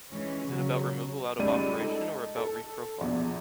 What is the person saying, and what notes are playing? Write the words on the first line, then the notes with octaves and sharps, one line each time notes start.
Is it about removal out of operation or about reprofiling?
E3 G#3 C#4
C#3 F#3
C#2 G3 C#4 D#4 D5 D#7
D#4 A4
A4
A#1 E2 B2